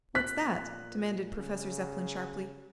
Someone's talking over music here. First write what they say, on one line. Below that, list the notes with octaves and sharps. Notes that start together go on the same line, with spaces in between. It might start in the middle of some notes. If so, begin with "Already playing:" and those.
"What's that?" demanded Professor Zepplin sharply.
A#2 F#6 B6
C#3